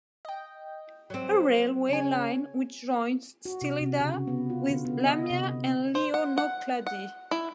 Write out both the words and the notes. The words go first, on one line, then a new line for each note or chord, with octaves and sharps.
A railway line which joins Stylida with Lamia and Lianokladi.
D#5 G5
F#3 C4
C#3 C#5 G#5
F#4
C3
C3
C#3
F#4
B3
F4
D3
B3
D#5
C3
C5
F#5
F#5
F#5
E4